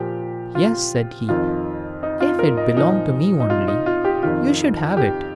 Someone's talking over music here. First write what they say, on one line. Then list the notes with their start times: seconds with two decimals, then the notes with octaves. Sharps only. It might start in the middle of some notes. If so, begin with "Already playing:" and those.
"Yes," said he, "if it belonged to me only, you should have it."
Already playing: A#2 F3 G4
0.55 F4
1.29 F2 D#3 F4
2.03 D#4
2.20 F4
2.39 A#4
2.57 D#5
2.77 A#2 F3 D#4
3.40 D#4
3.50 F4
3.68 D#4
3.86 F4
4.05 G4
4.23 F2 D#3 F4
4.97 G4